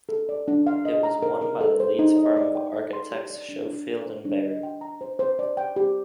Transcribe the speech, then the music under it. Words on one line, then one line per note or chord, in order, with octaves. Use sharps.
It was won by the Leeds firm of architects Schofield and Berry.
A4
D5
D4
F5
D#5
A#5
A#4
A#4
A4
C5
D#4
D#5
D5
G5
A4
C6
G4
D5
D4
D4
A4
C5
D4
D#5
G5
A#5
C5
C5
D5
G5
G4